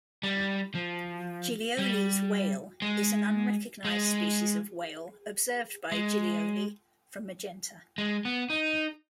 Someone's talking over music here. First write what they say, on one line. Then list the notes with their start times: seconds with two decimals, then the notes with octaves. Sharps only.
Giglioli's Whale is an unrecognized species of whale observed by Giglioli from "Magenta".
0.23 G3
0.75 F3
1.79 G3
2.82 G#3
3.85 G#3
5.92 G#3
7.98 G#3
8.25 B3
8.50 D#4